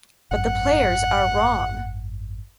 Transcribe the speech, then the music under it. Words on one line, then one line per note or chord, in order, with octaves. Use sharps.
But the players are wrong.
G#1 F#2 F#5